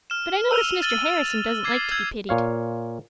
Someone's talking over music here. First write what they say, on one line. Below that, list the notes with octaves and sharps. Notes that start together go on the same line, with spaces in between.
But I notice Mr. Harrison doesn't like to be pitied.
F6 E7
E6 D#7 F7 G7
F6 A6 D#7 F#7 G7
F6
D6 G#6 C7
E6 G6 G#6
A#2 C#5 F5